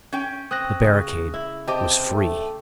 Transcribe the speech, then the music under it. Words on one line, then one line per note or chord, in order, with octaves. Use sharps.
The barricade was free.
C#4 G5
C4 D#6 F#6 A#6
C#3
E4
C3 G4 D#5 G5 A5 D6
A3